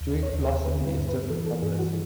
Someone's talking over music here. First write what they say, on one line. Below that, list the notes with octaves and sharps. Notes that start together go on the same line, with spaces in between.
Doing philosophy is different from this.
D#2
C#5
D#2
C5
D3 B4
B4
G2
B4
E3 A4
A4
G2 G#4
F#4